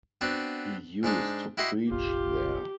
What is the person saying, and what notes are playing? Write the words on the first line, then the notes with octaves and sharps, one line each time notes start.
He used to preach there.
B3 C4 D4 F#4
G#2 G#3 D4 D#4
E4 F#4 G4 D#5 F#5 C6
F1 A#1 F4 G4